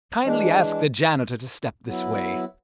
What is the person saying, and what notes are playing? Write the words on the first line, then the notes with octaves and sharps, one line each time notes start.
"Kindly ask the janitor to step this way."
E3 G#3 D4
F#3 B3 E4